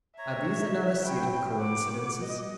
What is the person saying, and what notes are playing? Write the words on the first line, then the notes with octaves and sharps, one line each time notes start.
Are these another set of coincidences?
C#5 E5 A#5
E4 F#4 G5
F#5 D6
D#5